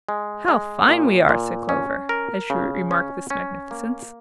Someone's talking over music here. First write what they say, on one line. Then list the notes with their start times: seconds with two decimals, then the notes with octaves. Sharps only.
"How fine we are!" said Clover, as she remarked this magnificence.
0.09 G#3
0.48 G#3
0.89 A#2
1.29 A#2
1.69 C#4
2.09 A#4
2.50 C#3
2.91 C#4
3.30 C#4
3.71 A#3